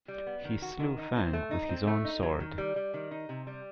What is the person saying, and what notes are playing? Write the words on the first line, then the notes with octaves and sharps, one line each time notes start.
He slew Feng with his own sword.
G3
B3
D#3
F#4
D#3
D#4
C4
A3
D#4
C4
A3
D#4
F#3
D#3
G3
G3
D#3
D#4
C3
G3